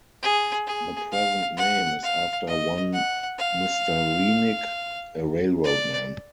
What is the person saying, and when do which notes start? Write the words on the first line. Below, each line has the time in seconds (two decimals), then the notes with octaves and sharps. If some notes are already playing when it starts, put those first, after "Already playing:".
The present name is after one Mr. Renick, a railroad man.
0.22 G#4
0.67 G#4
1.12 F5
1.57 F#5
2.03 F5
2.48 D#5
2.93 F#5
3.38 F5
5.64 D5